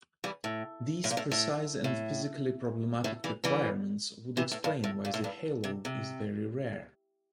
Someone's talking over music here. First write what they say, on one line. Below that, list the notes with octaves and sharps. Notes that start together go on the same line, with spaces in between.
These precise and physically problematic requirements would explain why the halo is very rare.
E3 G3
A2
A2
A#2
A2
A2
A2
A2
E3 G3
E3 G3
C3 E3
A2
G2
A2
A#2
A2
G2
C3
C3